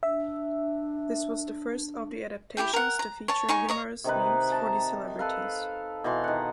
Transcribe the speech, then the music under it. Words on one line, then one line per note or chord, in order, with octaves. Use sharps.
This was the first of the adaptations to feature humorous names for the celebrities.
D4 E5
E4 G4 G#4 G5
A#4 F#5
A#5
C#5 A5
D#4 C#5 G#5 C#6
C#5 D#5 A#5
C3 D#3 D#4 B4
A5 A#5
A4 B4 F5
B2 E3 C6
D#3 F#5